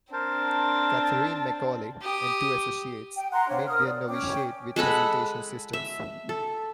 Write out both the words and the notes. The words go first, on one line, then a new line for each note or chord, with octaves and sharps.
Catherine McAuley and two associates made their novitiate with the Presentation Sisters.
C4 D4 A#4 C5 A5
G4 D#6
G5
F#5 A#5 C6 F#6
D4 C5 C#5 F5
A#4 D#6 F6
D5
C#4 C#5 G5 D6
G#3 A4 F#5 B5
E5
A4